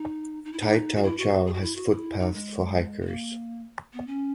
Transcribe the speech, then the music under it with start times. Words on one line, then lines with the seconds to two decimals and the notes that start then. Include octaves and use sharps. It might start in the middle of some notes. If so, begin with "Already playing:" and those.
Tai Tau Chau has footpaths for hikers.
Already playing: D#4
0.45 D#4
0.53 E4
0.60 D#4
0.97 F#4
1.03 E4
1.18 F#4
1.46 G#4
1.54 F#4
1.61 E4
1.76 F#4
1.90 E4
2.19 D#4
2.34 G#3
3.01 B3
3.06 A#3
3.93 B3
4.07 C#4